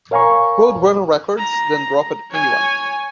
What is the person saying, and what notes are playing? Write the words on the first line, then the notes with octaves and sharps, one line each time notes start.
RoadRunner Records then dropped Anyone.
A#4 C#5 F5 G#5 A#5 C#6
A#5
C#5 G#5